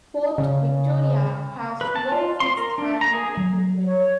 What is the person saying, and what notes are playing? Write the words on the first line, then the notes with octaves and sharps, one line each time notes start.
Port-Victoria has no fixed handling equipment.
C#3
B4
A5
F4
C6
A#4
D4
A#5
G#4
F#3
C#5